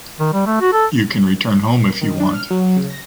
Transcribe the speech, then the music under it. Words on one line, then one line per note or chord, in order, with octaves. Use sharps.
You can return home If you want.
D#3
G3
A3
F#4
A4
D#3
D4
F6
F#3
C#3
A#6